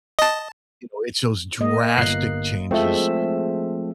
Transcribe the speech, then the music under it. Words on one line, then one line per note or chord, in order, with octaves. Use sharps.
you know, it's those drastic changes
D#5 A5
A#3 D#5
G1 F#6 C7
F3 G#3 A3 C4 E5